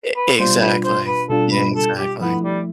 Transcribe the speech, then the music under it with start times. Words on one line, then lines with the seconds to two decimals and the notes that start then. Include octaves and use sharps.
Ex exactly. Yeah, exactly.
0.16 B4
0.39 B2 G3 D4 F4 C5
0.61 B4
0.84 C5
1.07 B4
1.29 B2 G3 D4 F4 A4
1.52 B4
1.76 A4
1.98 G4
2.21 F3 A3 B3 E4
2.43 G3